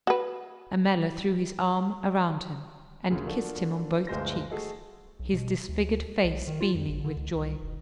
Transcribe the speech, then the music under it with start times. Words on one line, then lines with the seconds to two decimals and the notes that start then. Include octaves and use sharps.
Ammella threw his arm around him and kissed him on both cheeks, his disfigured face beaming with joy.
0.07 F#4 B4
3.10 D2 A#2 C#3
3.27 F3 A#3 D4 F4 F#4 A4
4.07 G1 D2 G#3 C5 G#5 A#6
4.51 A3 F#4 G#4 A4 D#5 A5
5.20 B1
5.33 B2
5.69 D2
6.24 B1
6.47 D#3
6.61 F4
6.75 F2
6.89 G#1
7.04 D3
7.17 C#2
7.35 C2
7.62 E1